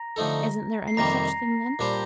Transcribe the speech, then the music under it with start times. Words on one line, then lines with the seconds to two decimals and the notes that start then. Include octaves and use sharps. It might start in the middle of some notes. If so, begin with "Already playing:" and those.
"Isn't there any such thing, then?"
Already playing: A#5 A#6
0.16 D3 F3 A3 D#4 A4
0.88 C7
0.97 F2 C3 D#3 G3 A#3 A#5 A#6
1.79 A#2 G3 D4 G4 C5